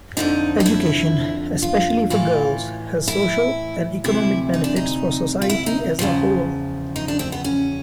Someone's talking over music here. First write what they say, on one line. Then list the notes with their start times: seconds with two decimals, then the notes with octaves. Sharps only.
Education, especially for girls, has social and economic benefits for society as a whole.
0.17 F2 D3 F3 D#4
0.60 D#4
0.66 E4
1.62 F4
2.10 A2 E3 F4
3.08 E4
4.04 D2 C3 E3 E4
4.54 D#4
4.64 D4
4.76 D#4
5.42 F4
5.50 E4
5.66 D#4
5.99 E2 C#3 F3
6.96 D#4
7.08 D4
7.19 C4
7.32 B3
7.44 C#4